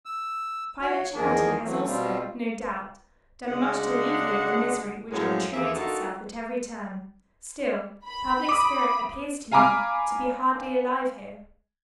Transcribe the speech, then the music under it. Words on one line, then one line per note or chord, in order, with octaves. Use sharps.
Private charity has also, no doubt, done much to alleviate the misery which obtrudes itself at every turn; still, public spirit appears to me to be hardly alive here.
E6
F#4 C#5
E2 D#3 F3 A#3 G#4 A#4
E3 F#3 A3 C4
B2 G3 C4 F4
D2 C#3 G#3 D4 F#5
F#2 A2 F3 F#3 G#3
D#2 E3 F3 A#3 G#4 E5
D4 D#4 F4 F#4 A4 A#4
B5
D6 D#6
F5 G#5 A#5 B5 D6 F6